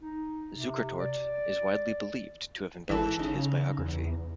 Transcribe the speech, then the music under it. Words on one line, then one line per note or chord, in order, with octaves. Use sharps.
Zukertort is widely believed to have embellished his biography.
D#4
C3
D5
G#1 E3 A4
C#3 D#4
E2